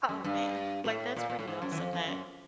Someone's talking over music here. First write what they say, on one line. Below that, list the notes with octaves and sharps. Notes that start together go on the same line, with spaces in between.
Oh, man, like, that's pretty awesome that
F#2
G2
A2
A#2
A#2
A2
G#2
F#2
E3
F2
F2
F#2